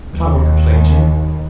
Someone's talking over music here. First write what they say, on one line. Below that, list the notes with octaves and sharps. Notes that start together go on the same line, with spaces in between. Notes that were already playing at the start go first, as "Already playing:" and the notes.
But I won't complain to you!
D#2